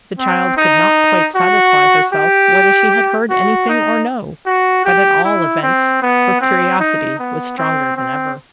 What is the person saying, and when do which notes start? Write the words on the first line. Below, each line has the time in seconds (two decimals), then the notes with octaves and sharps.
The child could not quite satisfy herself whether she had heard anything or no. But, at all events, her curiosity was stronger than ever.
0.19 C4
0.57 D#4
1.35 F#4
2.14 G4
3.30 F#4
3.69 D#4
4.46 F#4
4.85 G4
5.25 E4
5.63 C4
6.02 B3
6.41 C4
6.80 D#4
7.19 B3
7.57 C4
7.97 C4